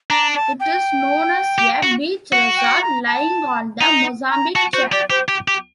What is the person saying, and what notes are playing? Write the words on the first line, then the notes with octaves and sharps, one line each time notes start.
It is known as a beach resort, lying on the Mozambique Channel.
D4 A#5
A5
G5
G4
F#4
F#4 F#5
G5
A#5
A5
D#4 A#5
A#5
F#4 A5
F#4 C5
G4 D5
G4 C5
G4
G4